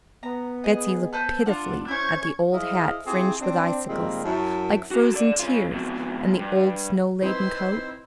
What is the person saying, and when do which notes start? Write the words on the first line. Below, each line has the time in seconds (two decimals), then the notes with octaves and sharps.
Betsey looked pitifully at the old hat fringed with icicles, like frozen tears, and the old snow-laden coat.
0.23 B3 A#5
0.64 G#4 D#5
1.13 A4 B4 C5
1.46 D4 F4 F#5
1.88 C#4 E4 C5 C#6 G#6
2.53 E4 G#4 C5 D#5 F5
3.06 C4 E4 F4 G4 G#4
3.41 C4 D4
3.88 A#2 D#3 G3 G#3 A#3 C4
4.25 F#2 E4 A5
4.91 C#4 F#4
5.14 A4 D5
5.39 C#4 F4
5.73 F2 B2
6.40 G2
7.22 E3 C4 D#4 E4 B4 C5 C6